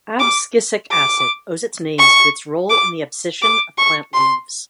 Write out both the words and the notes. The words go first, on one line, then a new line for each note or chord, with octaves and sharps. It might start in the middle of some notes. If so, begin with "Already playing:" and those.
Abscisic acid owes its names to its role in the abscission of plant leaves.
D6
D6
C#6
D6
D6
C#6
C6